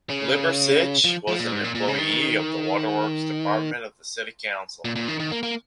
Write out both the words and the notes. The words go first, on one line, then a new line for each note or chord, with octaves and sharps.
Liversidge was an employee of the waterworks department of the City Council.
C#3
F3
F3
A#2
G#2
A#2
A#2
C#3
D#3
A#2
A#2
D#3
D#3
A#3
A#3